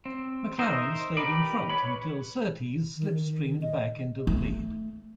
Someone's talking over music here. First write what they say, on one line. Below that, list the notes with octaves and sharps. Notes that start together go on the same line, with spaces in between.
McLaren stayed in front until Surtees slipstreamed back into the lead.
C4
D#4 A#4 C5 D#5 E5
D#4 G4 A#4 B4 D5
B4 C#5 B5
D#3
D#3
D#5
A3